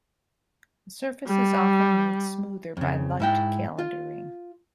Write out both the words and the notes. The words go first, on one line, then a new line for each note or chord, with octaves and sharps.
The surface is often made smoother by light calendering.
G3
F2 C#3
G#2 E4 G5
F4